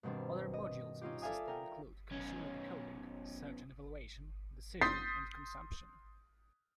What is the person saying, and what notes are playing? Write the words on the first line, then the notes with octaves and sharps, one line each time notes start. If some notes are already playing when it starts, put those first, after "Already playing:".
Other modules in the system include, consumer decoding, search and evaluation, decision, and consumption.
G2 B2 D#3 C4 D4
D#5
C#4 D#4 F4 G4
A4 D5 E5 F5 G#5 D#6
A#4 G5
B1 C#4
C6 D#6 G6 A6 B6 C7